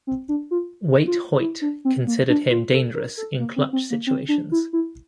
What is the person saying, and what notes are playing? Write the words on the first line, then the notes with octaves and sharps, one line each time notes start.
Waite Hoyt considered him dangerous in clutch situations.
C4
D4
F4
F4
E4
D4
C4
A#3
D4
F4
A4
A#4
A4
A#3
C4
C4
A#3
C4
D4
E4
E4